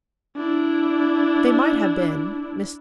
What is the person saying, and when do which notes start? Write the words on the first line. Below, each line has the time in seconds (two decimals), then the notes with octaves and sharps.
They might have been--Mrs.
0.36 D4 E4